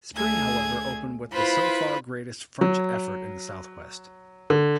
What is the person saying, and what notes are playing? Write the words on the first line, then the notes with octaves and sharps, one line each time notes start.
Spring however opened with the so far greatest French effort in the south-west.
D2 A3 G#4 G#6
E4 F4 B4 C5 B5
F#3
D3